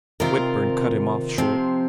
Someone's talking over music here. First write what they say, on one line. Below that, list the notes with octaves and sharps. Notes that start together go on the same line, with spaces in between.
Whitburn cut him off short.
C3 D#3 C4 F4 A#4
C3 F3 C4